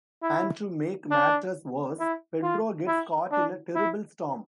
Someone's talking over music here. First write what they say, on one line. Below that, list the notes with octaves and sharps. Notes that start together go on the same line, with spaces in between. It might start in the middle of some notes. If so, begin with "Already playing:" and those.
And to make matters worse, Pedro gets caught in a terrible storm!
E4
D4
E4
F4
E4
D4
E4